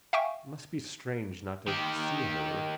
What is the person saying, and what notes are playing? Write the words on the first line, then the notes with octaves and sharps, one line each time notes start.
Must be strange not to see her.
E5 F5 G5 G#5 C#6
D#3 G4